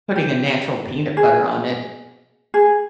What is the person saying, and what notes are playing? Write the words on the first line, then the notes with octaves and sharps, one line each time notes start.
putting a natural peanut butter on it,
G4
G#4
G#4